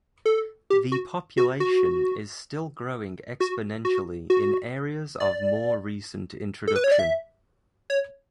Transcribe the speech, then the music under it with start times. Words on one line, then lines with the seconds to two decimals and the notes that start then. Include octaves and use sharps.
The population is still growing exponentially in areas of more recent introduction.
0.26 A4
0.70 G4
0.92 F#4
1.37 F#4
1.60 F#4
3.40 F#4
3.85 F#4
4.30 F#4
5.20 D5
6.67 A4
6.76 B4
6.84 C#5
6.92 D5
6.99 E5
7.90 C#5